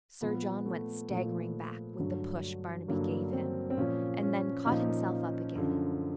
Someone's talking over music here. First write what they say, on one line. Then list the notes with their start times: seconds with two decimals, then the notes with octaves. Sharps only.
Sir John went staggering back with the push Barnaby gave him, and then caught himself up again.
0.21 A#2 F3 B3
0.66 A3
1.10 A#2 F3 A3
1.99 G2 D3 F#3
2.88 G2 D3 F#3 A#3
3.33 C4
3.70 C4
3.77 A#2 F3 C#4
4.23 C#4
4.66 A#2 F3 D#4
5.55 F#2 D3 F3